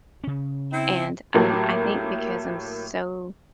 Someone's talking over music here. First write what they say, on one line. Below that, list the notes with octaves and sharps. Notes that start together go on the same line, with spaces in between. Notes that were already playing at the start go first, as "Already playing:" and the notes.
And, um, I think because I'm so
C#3 C#4
C4 E4
A2 F#3 A3 A#3 G4